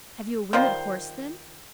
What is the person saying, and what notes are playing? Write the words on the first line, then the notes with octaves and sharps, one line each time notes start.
"Have you a winged horse, then?"
D#3 G3 F4 C5